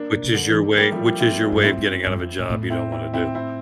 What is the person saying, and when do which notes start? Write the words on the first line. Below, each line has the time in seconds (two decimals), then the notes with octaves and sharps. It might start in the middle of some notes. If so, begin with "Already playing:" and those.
Which is your way which is your way of getting out of a job you don't wanna do.
Already playing: A#3 D4
0.13 A#2
0.24 C3
0.34 D3
0.49 E3
0.63 D3
0.77 A2 G3 A#3
0.92 F3 A3
1.06 G3 A#3
1.20 C4 E4
1.42 D4 F4
1.52 G2
1.63 A2 C4 E4
1.78 G2
2.06 G2
2.17 F2
2.39 A2
2.50 A2
2.70 C4 E4
2.92 C4 E4
3.14 C4 E4
3.35 C4 E4